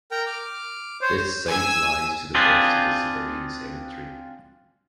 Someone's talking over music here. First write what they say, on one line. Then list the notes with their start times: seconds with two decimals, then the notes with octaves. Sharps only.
This site lies to the west of the civilian cemetery.
0.11 A#4 G5 A#5
0.26 D6 F6
1.02 C5 C#5
1.47 G#5 E6
2.35 C4 D4 F4 G#4 B4 C5